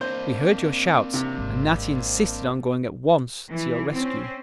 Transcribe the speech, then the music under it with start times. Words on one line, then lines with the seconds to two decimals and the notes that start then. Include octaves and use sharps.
"We heard your shouts and Natty insisted on going at once to your rescue."
0.01 A#3 C4 D4 C5 D#5
1.14 C3
1.38 G#1
3.51 E3
3.93 C4 C#4